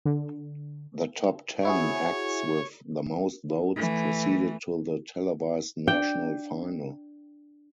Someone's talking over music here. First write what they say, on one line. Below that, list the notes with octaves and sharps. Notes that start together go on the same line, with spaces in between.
The top ten acts with the most votes proceeded to the televised national final.
D3
E4 F#4 G#4 C#5
E3 A3
D4 D5 G5